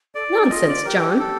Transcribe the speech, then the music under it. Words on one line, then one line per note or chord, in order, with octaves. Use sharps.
'Nonsense, John.
A4 D5
F4
D#4
F4 D#5
D5
G4 A#4
A4
A4